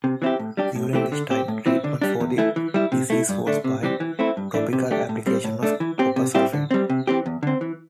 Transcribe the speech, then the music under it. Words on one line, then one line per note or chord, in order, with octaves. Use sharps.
During this time treatment for the disease was by topical application of copper sulfate.
C3
E3 C4 E4 G4
A2
G3 D4 G4
A2
E3 A3 C4 G4
D3
C4 G4
A2
E3 C4 E4
D3
G3 D4
E2
E3 A3 E4
E3
G3 E4
C3
A3 E4
G2
D3 A3 D4
C3
E3 G3 C4 G4
E3
A3 C4 E4
G2
E3 A3 D4
C3
A3 D4 G4
A2
G3 C4
A2
A3 D4
E3
C4 G4
C3
G3 C4 E4 G4
D3
G3 C4
C3
E3 C4 G4
E2
D3 C4
E3